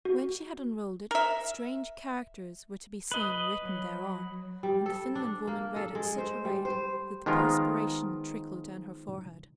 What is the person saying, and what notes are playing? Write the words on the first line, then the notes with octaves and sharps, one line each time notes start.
When she had unrolled it, strange characters were to be seen written thereon; and the Finland woman read at such a rate that the perspiration trickled down her forehead.
F#4
A#4 E5
B4 D#5
F#3
G3
A4
D4
A#3
A4
G#3
C5
G3
C5
D#3 F3 G#3 B3 F4 A#4